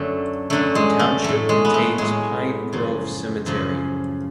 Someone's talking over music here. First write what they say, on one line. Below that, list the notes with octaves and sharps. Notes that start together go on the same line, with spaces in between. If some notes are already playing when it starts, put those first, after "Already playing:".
The township contains Pine Grove Cemetery.
Already playing: F#2 D3 F#3 A3
F#2 D3 F#3 A3
G#3
A3
A2 F#3 A3
G#3
B3
A3
A2 F#3 G#3
F#2 C#3 F3
F#2 C#3 F3